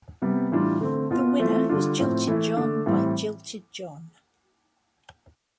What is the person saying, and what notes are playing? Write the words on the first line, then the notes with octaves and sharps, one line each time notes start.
The winner was Jilted John by Jilted John.
C3 G3 B3
A2 E3 G3 D4 F4
D3 A3 C4
B2 B3 F4
E3 A3 C4 F4
D3 G3 D4 F4
A2 F3 C4
E3 A3 E4
D3 A3 D4
A2 E3 G3 C4